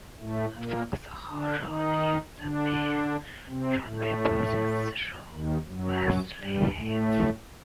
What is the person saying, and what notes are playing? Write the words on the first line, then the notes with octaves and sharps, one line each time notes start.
Foxhall Road is the main roadway passing through Wesley Heights.
A2 A3
A#2 A#3
D3 D4
D#3 D#4
D3 D4
C3 C4
A2 A3
D#2 D#3
F#2 F#3
G2 G3
A2 A3